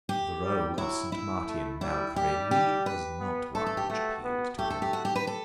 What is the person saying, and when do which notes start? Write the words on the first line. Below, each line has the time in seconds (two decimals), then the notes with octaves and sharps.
The rôle of Saint Martin malgré lui was not one which appealed to him.
0.09 G4
0.44 G3
0.77 F#3 E4
1.12 E4
1.47 A3
1.81 G3 E4
2.16 G3 G4
2.51 G4
2.86 B4
3.20 B3
3.55 A3 A4
3.66 A4
3.77 G4
3.89 A3 F#4
4.24 B3
4.58 A3 G4
4.70 A4
4.82 G4
4.93 F#4
5.05 G4
5.16 B4
5.27 A4